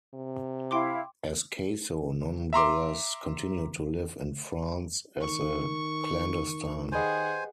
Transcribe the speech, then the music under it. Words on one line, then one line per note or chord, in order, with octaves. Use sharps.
Ascaso nonetheless continued to live in France as a clandestine.
C3
E4 F5 G5 C6 D6
E5 A#5 C6 D6
D#3 C#6
G4 G#4 B4 C5 D#5 F#5 G#5